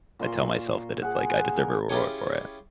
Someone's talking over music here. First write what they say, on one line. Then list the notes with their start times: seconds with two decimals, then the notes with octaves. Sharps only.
I tell myself that it's like, "I deserve a reward for it."
0.19 A#2 A#4 C6 C#6
1.02 G#4 F#5
1.55 A#4
1.90 C#4 E4 F4 G4 G#4 C#5